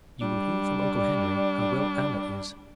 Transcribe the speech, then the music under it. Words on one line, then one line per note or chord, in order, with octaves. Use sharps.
'You will hear from uncle Henry how well Anna is.
G3 D4